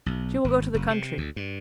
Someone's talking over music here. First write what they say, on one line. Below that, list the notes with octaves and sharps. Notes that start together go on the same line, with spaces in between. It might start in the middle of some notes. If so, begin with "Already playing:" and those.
"She will go to the country."
B1
G#1
F#1
C3
D2
G2